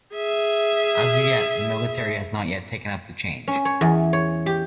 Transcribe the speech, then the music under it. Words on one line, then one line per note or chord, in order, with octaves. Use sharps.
As of yet, the Military has not taken up the change.
G#4 E5
C#4
C#5
E2
C#5
G4